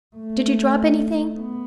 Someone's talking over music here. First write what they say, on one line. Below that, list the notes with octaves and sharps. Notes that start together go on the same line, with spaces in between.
Did you drop anything?
A3
B3